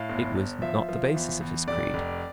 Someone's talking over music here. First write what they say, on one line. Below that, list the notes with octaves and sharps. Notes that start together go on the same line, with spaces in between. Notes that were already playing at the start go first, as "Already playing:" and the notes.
It was not the basis of his creed.
Already playing: A2 F5
G1
G1
F3 E5
F3
E2
E2
F1 D5
F1